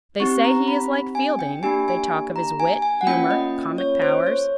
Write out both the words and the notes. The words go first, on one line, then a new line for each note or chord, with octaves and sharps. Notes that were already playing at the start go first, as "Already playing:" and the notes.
They say he is like Fielding: they talk of his wit, humour, comic powers.
C4 D#4 G4 C#6
A#5
B5
G#5
G5
A#3 D4 G4 G#5
G#5
A#5
G#5
G#5
F#5
A#3 C#4 F4 G5
D#5
C#5
C5
C#5